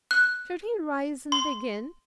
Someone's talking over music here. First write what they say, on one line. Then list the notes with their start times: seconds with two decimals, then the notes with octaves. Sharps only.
Should he rise and begin?
0.11 F#6
1.32 C6